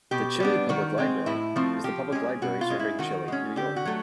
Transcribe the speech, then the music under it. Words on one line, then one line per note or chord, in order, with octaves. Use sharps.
The Chili Public Library is the public library serving Chili, New York.
B2 G4
G3 B3 D4
D#3 F#4
G#3 C4
A2 E4
F3 A3 C4
F3 G4
G#3 C#4
B2 F#4
F4
G#3 C#4
E4
D#3 F#4
G#3 C#4
D3 G4
F#4
F#3 A3